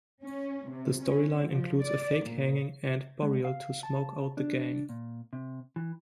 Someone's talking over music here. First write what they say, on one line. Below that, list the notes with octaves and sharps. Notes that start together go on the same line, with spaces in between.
The story line includes a fake hanging and burial to smoke out the gang.
C#4
C3
C#4
F3
D5
A#2
G#3
F5
A5
D4
A#2
C3
E3